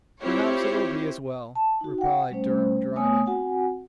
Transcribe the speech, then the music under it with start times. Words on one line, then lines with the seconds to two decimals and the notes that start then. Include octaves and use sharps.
"Perhaps it will be as well," replied Durham, dryly.
0.21 C4 E4 F4 G4 C5 C#5
1.55 A5
1.81 D#4 F#4
1.98 F#5 G5
2.30 G3 A3 C#4 C5
2.96 A3 B3 C#5 G#5 D#6
3.26 C4 F#4 F#5 G#5